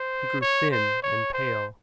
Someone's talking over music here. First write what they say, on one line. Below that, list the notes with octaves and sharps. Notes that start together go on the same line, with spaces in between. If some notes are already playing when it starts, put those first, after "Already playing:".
He grew thin and pale.
Already playing: C5
C#5
C5
C#5
C5